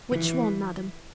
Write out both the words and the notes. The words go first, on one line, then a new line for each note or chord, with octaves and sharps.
"Which one, madam?"
F3
E3